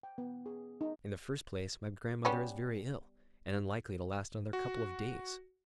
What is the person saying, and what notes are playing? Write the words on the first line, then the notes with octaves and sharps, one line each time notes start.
In the first place, my grandmother is very ill, and unlikely to last another couple of days.
G5
B3
G#4
D#4
G3 B3 C#4
F#4